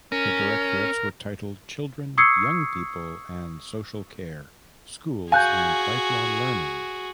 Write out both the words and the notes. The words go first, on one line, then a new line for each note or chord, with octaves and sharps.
The Directorates were titled Children, Young People and Social Care; Schools; and Lifelong Learning.
C#4 A#4
C#6 D#6 E6 G#6 C7 C#7
F#4 G#4 F5 G#5 F#6 G6